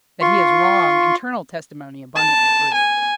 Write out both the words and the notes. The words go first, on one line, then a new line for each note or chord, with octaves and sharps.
That he is wrong internal testimony abundantly proves.
F4 C6 C#6
A5
G#5